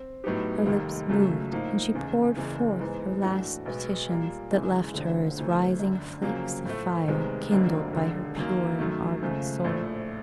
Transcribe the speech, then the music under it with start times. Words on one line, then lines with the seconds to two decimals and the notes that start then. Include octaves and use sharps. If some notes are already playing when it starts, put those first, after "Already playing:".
Her lips moved, and she poured forth her last petitions, that left her as rising flakes of fire, kindled by her pure and ardent soul.
Already playing: C4
0.24 A2 F#3 B3 D#4 G4
0.66 F1 D#2 D#3 G3
1.09 C#2 C#3 F#3 A3
1.52 A2 F3 A#3 D#4
1.95 F1 E2 C#3
2.37 F#1 E2 C#3 E3
2.80 G#2 E3 G#3 B3
3.23 A2 E3 A3 D4 F#4
3.66 B1 B2 G#3 B3
4.08 A#2 G3 A#3
4.51 G1 F#2 C#3 E3 G#3
4.94 E1 D2 D3 F3
5.37 D2 C3 E3 A3
5.80 G1 F#2 D3
6.22 F2 C#3 F#3 A#3
6.65 A2 F3 A3
7.08 C2 C3 D#3 G#3 B3
7.51 F1 F2 D3 F#3 A#3
7.93 E1 D#2 D3
8.36 F#2 D#3 F#3 A#3
8.79 F#2 D#3 F#3 A3
9.22 C#2 C#3 F3 A3
9.64 A#1 A2 F3 A3